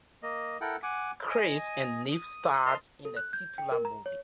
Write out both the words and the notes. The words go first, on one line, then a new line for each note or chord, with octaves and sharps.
Chris and Neef starred in the titular movie.
A#3 D#5
E4 A4 A#4 F#5 G5
F#5 G#5 D6
D#5 G#5 D#6
D#6
A#4 D#5 A5 A#5 C6
A4
F#6
G6
G5
A#4
A#5
C#5